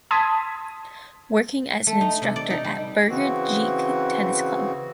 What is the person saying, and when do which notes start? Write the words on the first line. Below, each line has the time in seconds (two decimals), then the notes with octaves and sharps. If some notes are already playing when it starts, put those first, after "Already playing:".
Working as an instructor at Burger Dijk Tennis Club.
0.11 A5 C6 D#6 G#6 B6
1.87 A3
2.01 D#4
2.22 C3
2.36 D5
2.50 D#4
2.64 G3
3.09 C#3 E3 C4 F#4